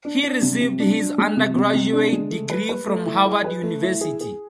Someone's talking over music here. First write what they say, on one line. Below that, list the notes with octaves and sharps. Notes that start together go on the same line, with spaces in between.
He received his undergraduate degree from Harvard University.
D4
D4
C3
C3
D4
D4
G#3
C3
C3
C3
D4
G#3
A3
B4
B4
A3
E4
G#4
B4
A3
E4
G#4
G#4